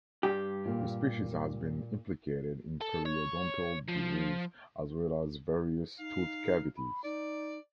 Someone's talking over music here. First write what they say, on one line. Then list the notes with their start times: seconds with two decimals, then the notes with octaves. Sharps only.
The species has been implicated in periodontal disease, as well as various tooth cavities.
0.23 G2 G4
0.66 A#2 A#3 F4
2.81 A4
3.06 C#5
3.88 F3
5.99 D#4 F5
6.76 B5
7.04 D#4 D5